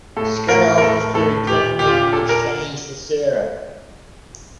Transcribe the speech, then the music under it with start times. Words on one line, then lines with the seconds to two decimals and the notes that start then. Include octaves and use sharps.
Scudder offers to return them in exchange for Sarah.
0.17 A2 A4
0.49 A2 A#4
0.78 A#4
0.81 A2 A4
1.14 A2 A4
1.47 A#2 G4
1.79 A#2 G4
1.88 F4
1.97 G4
2.13 A#2 A4
2.29 A#4